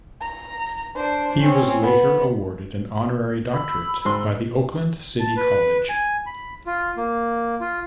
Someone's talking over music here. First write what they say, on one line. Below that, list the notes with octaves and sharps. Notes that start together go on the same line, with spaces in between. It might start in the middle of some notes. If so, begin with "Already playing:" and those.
He was later awarded an honorary doctorate by Oakland City College.
A#5
D4 C5
C4 C#4
B3
B5 E6
G#2 C6
A5
B4
G#5
B5
F4
A#3
F4